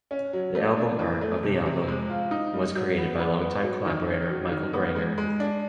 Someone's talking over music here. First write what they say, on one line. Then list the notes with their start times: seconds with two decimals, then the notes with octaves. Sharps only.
The album art of the album was created by long-time collaborator Michel Granger.
0.11 C#4
0.33 F#3
0.55 A3
0.77 D4
0.99 E3
1.21 A3
1.43 C3
1.66 C3
1.88 G#3
2.10 F4
2.31 D#4
2.54 G3
2.76 F#3
2.98 B3
3.19 B3
3.41 B3
3.63 F#3
3.85 D#3
4.07 C#4
4.30 F#3
4.52 D#3
4.73 B3
4.95 G#3
5.18 G#3
5.40 D4